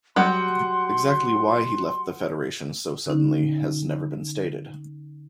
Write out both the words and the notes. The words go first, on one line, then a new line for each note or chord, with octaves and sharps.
Exactly why he left the federation so suddenly has never been stated.
F#3 G3 G4 F#5 C6
D3 C#4 D#4